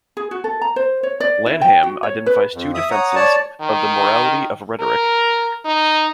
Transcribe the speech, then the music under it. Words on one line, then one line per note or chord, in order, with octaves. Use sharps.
Lanham identifies two defenses of the morality of rhetoric.
G#4
F#4
A4
A#5
C5
C#5
D5
E4
G5
F#4
C#5
B4
F2
E5 D#6
C#5 F#5 A#5 D#6
C#5 D5 A5
D#3
A#4
D#4